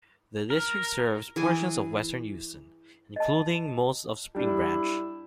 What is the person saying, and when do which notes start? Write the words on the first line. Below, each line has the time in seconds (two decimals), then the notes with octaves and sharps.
The district serves portions of western Houston, including most of Spring Branch.
0.50 A#4
1.36 E3 G#4 G#5
3.16 D#5 A5
4.35 G3 D4 E4